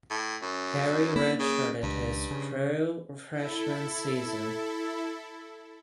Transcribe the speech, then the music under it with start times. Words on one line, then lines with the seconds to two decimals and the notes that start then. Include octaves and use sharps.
Perry redshirted his true freshman season.
0.10 A2
0.42 F#2
1.16 A#3 C#4 E4
1.39 C#3
1.83 C#2 G2
2.31 C#3
3.31 E4 A4